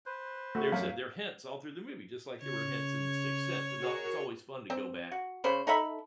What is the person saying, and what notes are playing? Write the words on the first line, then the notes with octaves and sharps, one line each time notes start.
there's a there hints all through the movie, just like there were hints in the Sixth Sense, and now it's always fun to go back
B4 C5
A3 F#4
F#2 F5
C#3 C#5
F#4 G#4 A#4
C4
F#4
C#3 C5 B5
D#4 A4 E5 B5